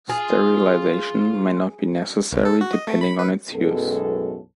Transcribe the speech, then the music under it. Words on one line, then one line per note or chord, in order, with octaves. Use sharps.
Sterilization may not be necessary depending on its use.
F4 G#4
C2
A4
F#4
D#5
A3
B5
B4
B1 F#2 A2 G#3 B3 A4